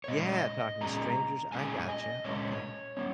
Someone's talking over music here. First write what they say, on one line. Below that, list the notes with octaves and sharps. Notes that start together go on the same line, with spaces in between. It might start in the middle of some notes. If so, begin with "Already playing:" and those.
Yeah, talking to strangers. I gotcha, okay.
C#5
A#2 G#3 C#4 D#5
A#2 G#3 C#4 A#5
A#2 G#3 C#4 G#5
D#5
A#2 G#3 C#4 C#5
A#3 C#4